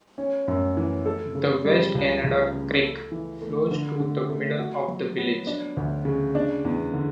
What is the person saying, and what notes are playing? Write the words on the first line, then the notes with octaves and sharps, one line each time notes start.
The West Canada Creek flows through the middle of the village.
C#4
F#2
E3
A4
C#3
G3
C#2
C#2
C#3
A4
E3
A3
D3
D3
A3
F#4
F#3
B3
D4
D2
C#3
D4
E2
D3